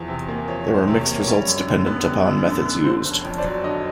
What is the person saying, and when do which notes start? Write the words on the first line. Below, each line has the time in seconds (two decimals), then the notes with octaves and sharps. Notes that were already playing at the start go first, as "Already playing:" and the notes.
There were mixed results dependent upon methods used.
Already playing: E2 F3
0.08 C3
0.28 A#3
0.48 F3 C#5
0.68 E2
0.74 C5
0.88 C3
1.01 C#5
1.07 A#3
1.27 G3 C#5
1.47 F#2
1.67 D3
1.86 B3
2.06 G3
2.26 F#2
2.46 D3
2.65 B3
2.85 D3 C5
3.05 F1
3.11 C#5
3.25 F2
3.38 C5 D5
3.44 F#3
3.64 D3 C#5 D#5